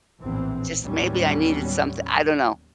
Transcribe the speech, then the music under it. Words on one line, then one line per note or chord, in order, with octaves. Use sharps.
just, maybe I needed something I don't know.
A#1 E2 A2 E3 C4
D#2 A2 F#3 G3 B3 C#4